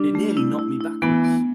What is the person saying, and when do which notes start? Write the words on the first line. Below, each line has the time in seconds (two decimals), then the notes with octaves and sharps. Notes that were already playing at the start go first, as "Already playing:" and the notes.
It nearly knocked me backwards.
Already playing: G3 D4
0.15 A3
0.37 E4
0.59 E4
0.80 E4
1.02 E3 B3
1.24 B3